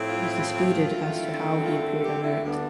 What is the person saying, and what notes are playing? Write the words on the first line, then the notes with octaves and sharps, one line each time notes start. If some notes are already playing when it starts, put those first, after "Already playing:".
It is disputed as to how he appeared on Earth.
Already playing: A2 F3 C4 E4
F4
D3 A3 C4 E4
F4
G4
E4
D2 D3 G3 B3 D4